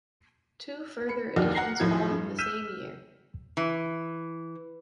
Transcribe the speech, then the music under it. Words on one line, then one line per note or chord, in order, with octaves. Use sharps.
Two further editions followed the same year.
B5 C#7
F#1 D#2 D4 F#4 G4 F6
F#5 A#5 A#6 C7
D#2 A2 F3 F#3 G#6
G2
E6 F6 G6 B6 D#7 E7
E3